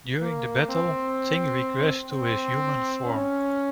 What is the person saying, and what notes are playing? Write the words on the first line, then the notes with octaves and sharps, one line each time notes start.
During the battle, Thing regressed to his human form.
A#3
C4
C4
C#4